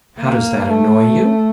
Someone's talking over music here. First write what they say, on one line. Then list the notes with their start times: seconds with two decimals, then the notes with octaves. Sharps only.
"How does that annoy you?"
0.20 A#3
0.69 A3